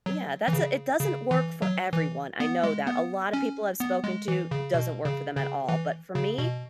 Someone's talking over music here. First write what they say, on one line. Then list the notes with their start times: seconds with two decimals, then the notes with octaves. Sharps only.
Yeah, that's a it doesn't work for everyone, I know that. A lot of people I've spoken to, doesn't work for them at all, but for me,
0.06 F#3
0.48 E3
0.53 C#3
1.00 C#3
1.31 E3
1.62 F#3
1.93 E3
2.40 B3
2.63 G#3
2.87 B3
3.33 C#4
3.80 B3
4.04 G#3
4.28 E3
4.51 C#3
4.74 B2
5.05 C#3
5.37 C#3
5.69 E3
6.15 C#3
6.38 B2